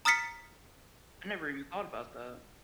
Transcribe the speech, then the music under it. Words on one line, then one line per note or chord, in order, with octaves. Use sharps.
I never even thought about that.
A#5 D#6 F6 A6 B6 C#7